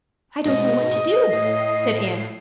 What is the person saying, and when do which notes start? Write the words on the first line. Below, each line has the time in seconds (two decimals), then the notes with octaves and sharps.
"I don't know what to do," said Anne.
0.45 G#2 B2 D#5
1.30 A2 C7